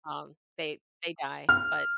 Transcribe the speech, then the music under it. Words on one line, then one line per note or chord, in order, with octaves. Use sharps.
um, they they die, but
F6